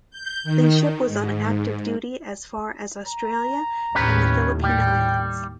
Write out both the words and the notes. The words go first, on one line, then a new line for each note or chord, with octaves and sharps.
The ship was on active duties as far as Australia and the Philippine Islands.
G6
D#3
G#2
A#5
D#2 A2 C#4 G4 B4
G3 G5